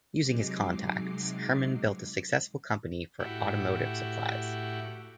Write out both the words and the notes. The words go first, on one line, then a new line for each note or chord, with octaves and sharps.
Using his contacts, Herrmann built a successful company for automotive supplies.
C3 F#3 G#3 D#4 D6 C7
A2 E4 F#4 G4